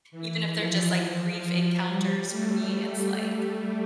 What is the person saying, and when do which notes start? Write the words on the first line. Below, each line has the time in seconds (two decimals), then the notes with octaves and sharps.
even if they're just, like, brief encounters for me, it's like,
0.11 E3
0.55 F3
0.99 F3
1.87 G3
2.30 A3